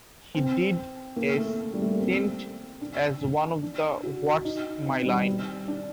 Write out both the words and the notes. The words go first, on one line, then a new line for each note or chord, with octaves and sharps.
He did a stint as one of the What's My Line?
C4
A#3
A3
G3
A3
A#3
C4
D4
D4
F#4
D#4
C4
G3
D4